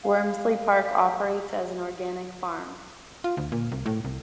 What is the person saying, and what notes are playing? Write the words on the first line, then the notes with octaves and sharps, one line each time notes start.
Wormsley Park operates as an organic farm.
F5
F4
D2
A#2
C2
A2
C2